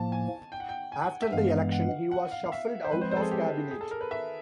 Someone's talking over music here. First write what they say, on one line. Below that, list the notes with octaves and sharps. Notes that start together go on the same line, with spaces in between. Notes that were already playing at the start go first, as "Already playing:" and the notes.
After the election he was shuffled out of cabinet.
Already playing: A2 F3 A#3 A5
G#5
G5
F#5
G5
G#5
F#5
E5
G2 E3 G#3 B3 F5
F#5
F#5
F5
F5
E5
C5
F3 G#3 C4 B4
C5
C5
A4
G#4
G4
G#4
A4
A#4
B4
E5